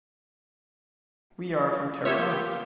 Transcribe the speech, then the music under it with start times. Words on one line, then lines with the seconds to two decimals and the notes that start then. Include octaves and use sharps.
We are from Tarragona.
2.05 A#3 B3 F4 G4 C#5 E5